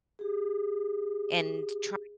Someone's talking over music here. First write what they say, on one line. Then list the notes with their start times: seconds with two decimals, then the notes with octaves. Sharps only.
and trying
0.19 G4 G#4